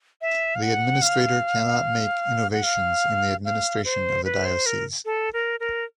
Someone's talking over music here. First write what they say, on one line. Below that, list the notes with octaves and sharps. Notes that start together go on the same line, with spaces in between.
The administrator cannot make innovations in the administration of the diocese.
E5
F5
F#5
F5
F#5
F5
F5
C5
B4
C5
A#4
A4
A#4
A#4